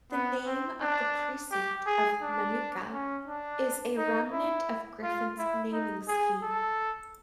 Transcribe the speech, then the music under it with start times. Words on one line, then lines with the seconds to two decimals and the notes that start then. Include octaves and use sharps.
The name of the precinct of Manuka is a remnant of Griffin's naming scheme.
0.11 B3
0.46 C4
0.81 D4
1.51 G4
1.86 G#4
2.22 D4
2.92 C#4
3.27 D4
3.97 D#4
4.32 E4
5.03 F4
5.38 E4
5.73 D#4
6.08 G#4
6.43 A4